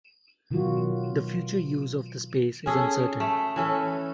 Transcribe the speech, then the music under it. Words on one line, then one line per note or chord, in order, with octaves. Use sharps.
The future use of the space is uncertain.
B2 D#3 F#3 F4 F#4
C#4 G#4 A4
A3
E3 C#4 A4